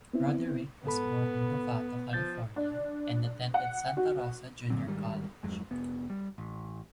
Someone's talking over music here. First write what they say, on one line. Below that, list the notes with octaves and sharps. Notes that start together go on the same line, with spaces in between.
Roderick was born in Novato, California, and attended Santa Rosa Junior College.
B3 C4 E4
G#2 B3 A4 B5
F3 G6 A6
D4
F#5
F#4
G2 D3 F#3 C4
G#2 D#3 G3
G#1 F2 F#3 G#3
F1 B3
G3
A1